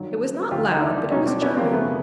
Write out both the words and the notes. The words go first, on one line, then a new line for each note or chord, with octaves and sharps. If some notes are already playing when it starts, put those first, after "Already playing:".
It was not loud, but it was charming.
Already playing: G2 D#3 F#3
D#2 D3 F3 F4 G4
D#4
D4 E4
C2 B2 F#3 C#4 D#4
C4 D4
B3 C#4
A#3 C4
F#2 C#3 F3 A3 B3